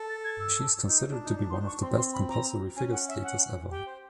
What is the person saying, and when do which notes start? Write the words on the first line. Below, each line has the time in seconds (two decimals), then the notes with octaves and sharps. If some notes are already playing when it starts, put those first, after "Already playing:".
She is considered to be one of the best compulsory figure skaters ever.
Already playing: A4
0.09 A6
0.24 G#6
0.40 E6
0.88 D#4
1.11 D4
1.24 D#4
1.34 D4
1.50 C6
1.53 D#4
1.59 D4
1.67 C#6
1.81 C4 C6
1.98 C6
2.13 B5
2.29 A#5
2.76 C#4 G#5
2.92 F#5
3.08 E5
3.23 F#5
3.71 G4 G5
3.86 C5